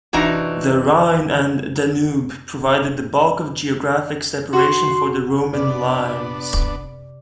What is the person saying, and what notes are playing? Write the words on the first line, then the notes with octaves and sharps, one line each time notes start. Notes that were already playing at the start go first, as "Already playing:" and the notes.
The Rhine and Danube provided the bulk of geographic separation for the Roman "limes".
C3 E3 D4 D#4 F#4 A#5
F#4 C6
C3 B3 D4 D5